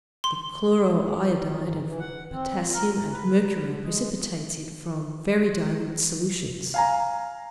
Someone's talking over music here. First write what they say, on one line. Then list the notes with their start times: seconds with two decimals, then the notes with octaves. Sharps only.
The chloro-iodide of potassium and mercury precipitates it from very dilute solutions.
0.24 C6
1.39 A#2
1.65 G#2
1.87 E3
1.99 F#5
2.31 C4
2.60 A#2
2.73 A#4
2.94 E2
3.12 B4
3.60 D3
3.82 G#3
6.74 F5 G#5 A#5